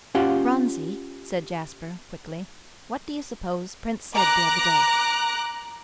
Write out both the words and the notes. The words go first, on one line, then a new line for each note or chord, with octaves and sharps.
"Phronsie," said Jasper quickly, "what do you suppose Prince said the other day?"
C#4 F4 G4 F#5
A#5 D6 F#6